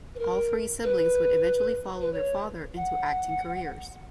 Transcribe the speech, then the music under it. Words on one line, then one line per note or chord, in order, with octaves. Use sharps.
All three siblings would eventually follow their father into acting careers.
B4
A#4
B4
B4
C#5
F#5